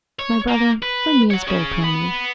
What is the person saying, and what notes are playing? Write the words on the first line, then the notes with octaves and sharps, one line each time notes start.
My brother, lend me a spare pony.
C#5
A#3
B4
C#5 F#5
C#4 G#4
B3 B5